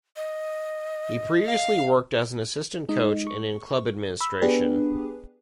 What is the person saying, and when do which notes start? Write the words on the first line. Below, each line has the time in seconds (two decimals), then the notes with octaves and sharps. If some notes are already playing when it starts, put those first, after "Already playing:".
He previously worked as an assistant coach and in club administration.
0.16 D#5
1.46 F5
2.89 G#3 D#4 D#5
3.27 C#6
4.20 B5 E6
4.42 B3 D4 G4 G#4 B4